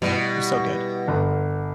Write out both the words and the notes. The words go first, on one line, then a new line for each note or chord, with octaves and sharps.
It was so good.
B2 G3 E4 G4
G1